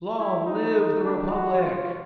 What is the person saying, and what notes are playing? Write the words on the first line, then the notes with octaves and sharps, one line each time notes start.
"Long live the Republic!"
E4
D#4
D4
F#4
F4